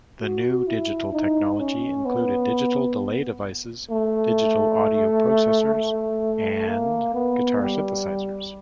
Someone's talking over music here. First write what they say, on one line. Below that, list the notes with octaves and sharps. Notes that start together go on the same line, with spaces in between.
The new digital technology included digital delay devices, digital audio processors, and guitar synthesizers.
F#4
E4
D#4
C#4
B3
A3
A3
A#3
B3
G3